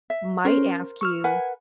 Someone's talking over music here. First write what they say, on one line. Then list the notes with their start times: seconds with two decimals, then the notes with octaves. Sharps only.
might ask you
0.10 E5
0.45 C#4 A#4 C5
1.01 C#6 E6 F6
1.24 A#4 B4 F#5 G#5